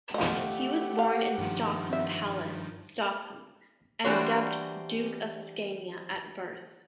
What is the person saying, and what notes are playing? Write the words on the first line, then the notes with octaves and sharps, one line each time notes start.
He was born in Stockholm Palace, Stockholm, and dubbed Duke of Scania at birth.
F3 A3 G4 D#5 F#5
F5
G2 D#3 F3
E5
E3 G3 D4 F#4 C5 C#5